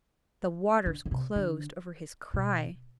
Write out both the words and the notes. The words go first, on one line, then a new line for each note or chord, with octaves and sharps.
The waters closed over his cry.
D3
D3
C3
D3
B2